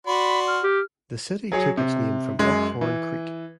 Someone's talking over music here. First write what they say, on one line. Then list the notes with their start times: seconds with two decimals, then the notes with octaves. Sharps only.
The city took its name from Elk Horn Creek.
0.07 F#4 D5 B5 C6
0.48 F6
0.64 G4
1.52 F#3 G#4 C#5
1.77 C3
2.39 F#2 G#3
2.81 E3